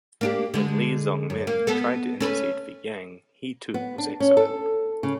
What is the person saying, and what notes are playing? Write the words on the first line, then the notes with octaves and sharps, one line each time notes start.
When Li Zongmin tried to intercede for Yang, he too was exiled.
A#3 D4 G4
D3 G#3
F#2
A#3
B3 A4
C#4 A4 B4
B3
D4
C#4
A4
C#3